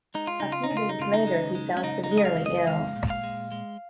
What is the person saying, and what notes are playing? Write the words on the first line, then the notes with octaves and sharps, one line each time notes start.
A few days later he fell severely ill.
G#3 D#4
F4
C#3 D#4
F4
D#4
C#3
F4
D#4
C#3 F4
D#4
G#3
G#3
C#4
C#3 D#4
D#4
G#3
D#5
F5
C#3
D#5
G#3 F5
A#2
F5
G#3
G#3